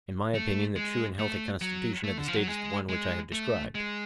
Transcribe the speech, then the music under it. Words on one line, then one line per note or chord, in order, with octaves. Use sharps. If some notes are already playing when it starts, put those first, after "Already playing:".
In my opinion the true and healthy constitution of the State is the one which I have described.
A3
G#3
A3
F#3
A3
D3
F3
F#3
G#3
G#3
A3
G#3